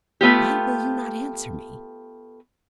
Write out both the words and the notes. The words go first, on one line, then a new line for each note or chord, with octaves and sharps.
Why will you not answer me?
A3 B3 F4 G4